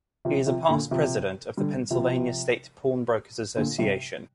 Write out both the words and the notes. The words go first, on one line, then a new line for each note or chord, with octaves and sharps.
He is a past president of the Pennsylvania State Pawnbroker's Association.
C3 F3
C3 F3
A#2 D3
C3 F3
D3 G3
C3 F3
A#2 D3
G2 C3